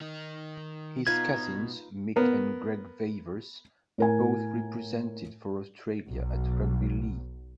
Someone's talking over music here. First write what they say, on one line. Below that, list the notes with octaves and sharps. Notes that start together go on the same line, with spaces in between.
His cousins, Mick and Greg Veivers, both represented for Australia at rugby league.
D#3 D#4
B2 D#4 F4 B4 G#6
B3 A#4
A2 A#4 G#5
B1